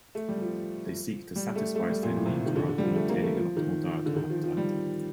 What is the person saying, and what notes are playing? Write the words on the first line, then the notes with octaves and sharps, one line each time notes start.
They seek to "satisfice" their needs rather than obtaining an optimal diet or habitat.
A3
G3
F3
G3
A3
A3
G3
A#2
A2
C3
D#3
D3
D3
G3
F3
A3
A#3
A3
F3
D#3
D3
D#3
F3
F3
G3